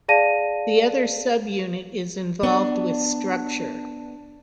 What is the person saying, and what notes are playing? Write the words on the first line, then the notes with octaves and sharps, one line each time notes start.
The other subunit is involved with structure.
G#4 D5 F5 A5 A#6 D#7
B3 D4